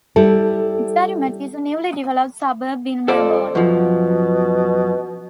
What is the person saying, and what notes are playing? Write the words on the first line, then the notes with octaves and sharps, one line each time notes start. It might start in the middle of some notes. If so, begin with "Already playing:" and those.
Derrimut is a newly developed suburb in Melbourne.
G3 E4 A4
F2 A4 C5 D5
F#2 B2 F3